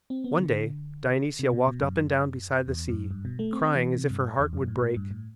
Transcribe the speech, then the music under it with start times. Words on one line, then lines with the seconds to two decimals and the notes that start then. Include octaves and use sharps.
One day Dionysia walked up and down beside the sea, crying as if her heart would break.
0.10 C4
0.24 B3
0.39 D3
1.39 C3
1.53 B2
1.68 B2
1.82 F#2
2.68 E2
2.89 F#2
3.11 G2
3.25 B2
3.39 A3
3.53 C4
3.75 E3
3.97 C3
4.10 G2
4.39 E2
4.53 F#2
4.68 A2
4.76 B2
4.82 A2
4.96 G2
5.11 A2